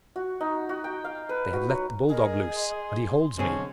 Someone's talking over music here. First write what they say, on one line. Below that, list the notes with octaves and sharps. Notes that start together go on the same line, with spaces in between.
"They have let the bull-dog loose, and he holds me!"
F#4
D#4
F#4
G5
F5
B4
F#4
F#3
G#4 A#4 D#5
C6
B1 D3 C4 C#4 G#4